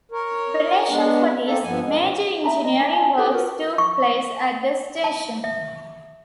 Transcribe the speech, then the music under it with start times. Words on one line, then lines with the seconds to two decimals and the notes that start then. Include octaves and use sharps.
In preparation for this, major engineering works took place at the station.
0.12 A#4 C#5
0.89 G#3 B3 D4
1.44 A#3 C4 A4
1.63 G2 F3 B3 G#5
1.82 G#3
1.99 B2 C#4
2.44 D#4 E5 A#5 B5
2.65 D#5
2.79 D4 C#5
2.93 G#5 A5
3.17 E4 G4 A4 C5
3.32 F4 F#4 A#4 B4
3.78 C#6
5.04 A5
5.44 E5